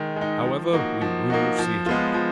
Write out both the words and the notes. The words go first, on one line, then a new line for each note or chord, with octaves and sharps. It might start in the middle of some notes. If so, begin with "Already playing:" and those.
However, we will see it out.
Already playing: D#3 G#3 D#4
G#3 D#4
F3
A#3 D#4 F#4
F3
A#3 D#4 F#4
F3
G#3 B3 F4
F3